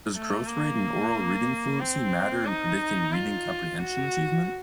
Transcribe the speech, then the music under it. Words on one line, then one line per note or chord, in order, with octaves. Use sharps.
Does growth rate in oral reading fluency matter in predicting reading comprehension achievement?
A3
A#3
C4
D#4
F4
F#4